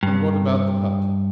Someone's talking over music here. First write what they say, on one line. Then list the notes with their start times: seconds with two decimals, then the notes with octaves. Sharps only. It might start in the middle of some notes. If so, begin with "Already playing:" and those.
"And what about the hut?"
0.03 G2